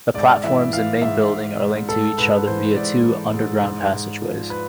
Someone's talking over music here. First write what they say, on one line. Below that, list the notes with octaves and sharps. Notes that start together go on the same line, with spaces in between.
The platforms and main building are linked to each other via two underground passageways.
G#2 D5
E3 E5
E3 F5
G#2 E5
G#2
G#2
G#2 A4
G#2 B4
E3 C5
G#2 D5
E3
G#2
G#2
G#2
F3
B4